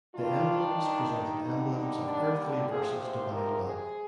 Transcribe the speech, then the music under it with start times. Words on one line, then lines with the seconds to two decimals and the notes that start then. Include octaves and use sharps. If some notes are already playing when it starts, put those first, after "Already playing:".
The emblems presented emblems of earthly versus divine love.
0.15 G2 D#3 G3 D4 F4
0.78 D#4
1.10 D#4
1.42 D#2 D3 G3
1.73 D#4
2.05 D4
2.36 D4
2.68 D2 C3 F3 G#4
2.99 C5
3.31 A#4
3.62 G#4